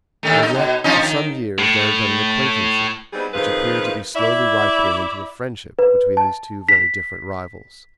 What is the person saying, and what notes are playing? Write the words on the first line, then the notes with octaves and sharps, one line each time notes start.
And yet for some years there had been an acquaintanceship which appeared to be slowly ripening into a friendship between these two very different rivals.
D#2 D#3 A3
D#4
B2
F3 C#4 D#4
D#3
A2
G3 B3 C4 D4 D#4 G#4
C3 D#3 F3 F4 G#4 B4
E4 D5 E5
B4
A5
B6